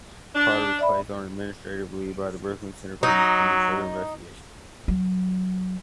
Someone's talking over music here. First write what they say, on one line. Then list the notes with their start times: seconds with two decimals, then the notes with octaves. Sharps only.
Potter was placed on administrative leave by the Brooklyn Center police pending further investigation.
0.35 D4
0.79 D5 E5 B5
3.03 F#3 D#4
4.88 F#3